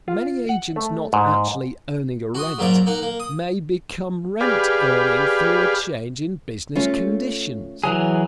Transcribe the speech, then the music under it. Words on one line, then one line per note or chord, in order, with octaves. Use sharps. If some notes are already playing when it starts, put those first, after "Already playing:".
Many agents not actually earning a rent, may become rent-earning through a change in business conditions.
F4
F#5
A3
G#2
F#4 C6 D#6
G#2 F#3 A#3 D5 A#5
A#3 D#4 F#5
A#3
D#6
G4 G#4 B4 D5 F5
A3 C#4 F4
E3 F#3 G#4